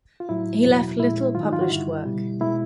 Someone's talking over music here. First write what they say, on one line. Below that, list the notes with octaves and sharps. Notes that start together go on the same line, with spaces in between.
He left little published work.
F4
A2 F#3 E4
E2 B2 F#3
A#2 F3 G#3 E4
G#2 D#3 F#3 F4
D#4
F4
F#4
G2 D3 G3 E4
B2 G3
B2 G#3 E4